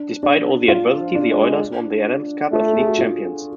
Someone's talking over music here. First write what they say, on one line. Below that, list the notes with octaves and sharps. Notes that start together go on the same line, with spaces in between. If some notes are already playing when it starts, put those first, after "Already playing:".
Despite all the adversity the Oilers won the Adams Cup as league champions.
Already playing: D4
D4
F#3 F4
F3
D4
G#3
A3 F4
A4
G#4
F#4
F4